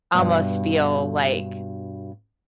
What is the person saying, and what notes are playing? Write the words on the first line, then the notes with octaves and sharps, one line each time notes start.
almost feel, like,
G2 B2